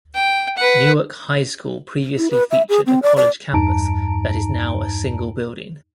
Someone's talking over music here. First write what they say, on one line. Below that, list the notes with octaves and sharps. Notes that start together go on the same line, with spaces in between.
Newark High School previously featured a college campus that is now a single building.
G5
B4 F#5
E4
B4
E5
G#4
C4
D5
D5
E2 G2 D#4 A5 A#5 D7